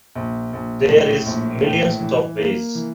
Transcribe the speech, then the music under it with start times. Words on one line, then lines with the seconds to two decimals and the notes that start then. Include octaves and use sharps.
There's millions of ways.
0.16 A#1
0.53 A#1
0.90 A2
1.26 A#1
1.64 A2
2.00 E3
2.37 A#3
2.75 E3